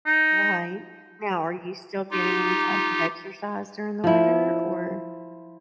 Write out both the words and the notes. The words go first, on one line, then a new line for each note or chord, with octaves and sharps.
Right. Now are you still getting any type of exercise during the winter? Or
D#4
D#4 F4 G4
F3 E4